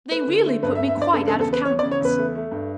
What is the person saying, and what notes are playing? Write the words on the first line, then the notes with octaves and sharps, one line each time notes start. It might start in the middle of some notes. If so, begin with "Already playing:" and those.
They really put me quite out of countenance.
A3 B4
D3
A3
G2 B4
E5
G2
E5
G2 D5
C#3 A4
A4
E2
A4
E2 B4
E2 C#5
D5
C#3
C#5
E2 B4
A3
A3
G2